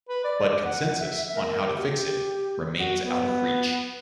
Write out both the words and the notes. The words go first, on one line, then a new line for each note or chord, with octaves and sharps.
But consensus on how to fix it remains out of reach.
B4
D5
D5
F#5
F#5
E5
E5
E5
A#4
A#4
G4
F#4
G4
F#4
B3